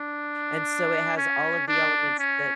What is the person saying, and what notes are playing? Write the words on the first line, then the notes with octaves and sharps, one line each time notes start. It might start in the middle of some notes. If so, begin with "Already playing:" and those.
and so it has all of the elements that
Already playing: D4
C#4
D4
C#4